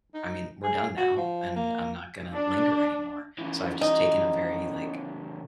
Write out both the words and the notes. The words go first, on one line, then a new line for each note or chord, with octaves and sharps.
I mean, we're done now," and I'm not gonna linger anymore. So, I've just taken a very, like
D#4
G#4
F#4
F3
A#3
D4
C#3 E3
D#4